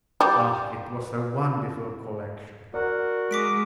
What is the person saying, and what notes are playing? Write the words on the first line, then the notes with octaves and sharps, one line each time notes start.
Ah! it was a wonderful collection.
G3
F#4 A#4 D5 F#5
G#3 D6 B6 D7